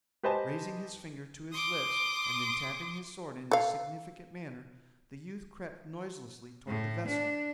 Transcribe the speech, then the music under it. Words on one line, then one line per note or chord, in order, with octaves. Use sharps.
Raising his finger to his lips and then tapping his sword in a significant manner, the youth crept noiselessly toward the vessel.
G4 B4 C5 D#5 G#5 A5
C6 D6 D#6
A4 F5
A2
D4